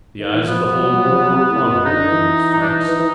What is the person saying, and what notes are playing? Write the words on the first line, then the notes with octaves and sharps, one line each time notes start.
The eyes of the whole world were upon him, when he reached France.
D#3
E3
F3 B3
F3
F#3
F#3
F3
F#3
C3
A2
A#2
B2
C#3 D#4
D#3
D3
E3
D#4
D4
D#4
E3
E3